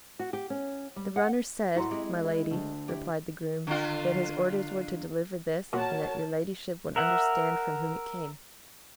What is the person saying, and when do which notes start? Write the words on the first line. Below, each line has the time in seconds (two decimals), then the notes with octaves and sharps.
"The runner said, my lady," replied the groom, "that his orders were to deliver this, and that your ladyship would understand from whom it came."
0.19 F#4
0.33 G4
0.50 C#4
0.96 G3
1.16 F#5
1.75 A2 E4 F#4 A#5 C6
1.91 G#3 C4 G4
2.24 E4
2.51 D2
2.88 E4 G4
3.67 D3 F4
5.73 A#2 F#4 A#4 C#5 A5
6.96 A#4 E5 F#5